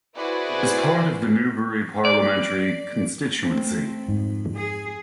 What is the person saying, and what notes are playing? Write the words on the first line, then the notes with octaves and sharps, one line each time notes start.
It is part of the Newbury parliamentary constituency.
E4 F#4 G#4 B4 C5 D5
D5
A3 C4
F2 G#2
G#4